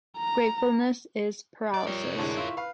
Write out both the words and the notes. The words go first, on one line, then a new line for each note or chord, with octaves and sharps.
Gratefulness is paralysis.
A#5
D5 D#5
G3 F4 A#4 C#5
C3
A2 D3 G#3 C#6
E4 F4
B4 F5